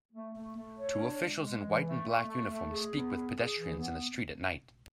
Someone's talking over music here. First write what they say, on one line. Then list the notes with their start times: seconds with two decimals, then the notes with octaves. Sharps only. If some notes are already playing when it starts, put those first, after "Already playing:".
Two officials in white and black uniforms speak with pedestrians in the street at night.
0.12 A3
0.35 A3
0.56 A3
0.77 C#5
0.99 D4
1.20 G#3
1.42 G#3
1.63 E3
1.85 A3
2.06 A3
2.27 A3
2.49 A3
2.70 G#4
2.92 B3
3.13 G#4
3.35 G#4
3.57 E3
3.78 B3